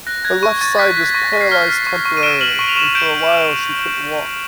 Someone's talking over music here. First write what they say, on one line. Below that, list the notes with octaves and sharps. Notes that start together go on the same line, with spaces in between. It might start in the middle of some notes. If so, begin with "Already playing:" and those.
Her left side was paralyzed temporarily, and for a while she couldn't walk.
F#6 A#6
F#6 G#6
C#6
C#6 A6
F#6 B6
F#6 B6
C#6 A#6
C#6 B6
C7
F6 B6
F6
C#6
C#6
D#7
F6 D7 E7
F6 E7 F#7
C#6
F7
C#6 E7 F#7
G6 D7 E7